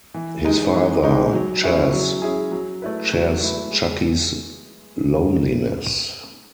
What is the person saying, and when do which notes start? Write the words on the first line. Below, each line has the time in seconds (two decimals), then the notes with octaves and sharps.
His father, Chas, shares Chuckie's loneliness.
0.14 E3
0.44 G#3 D#4
0.74 E3
1.03 G#3 D#4
1.33 F#3
1.63 C#4 E4 G#4
1.92 F#3
2.22 C#4 E4 G#4
2.52 F#3
2.82 A3 E4 B4
3.12 F#3
3.41 A3 E4 B4
3.71 G#3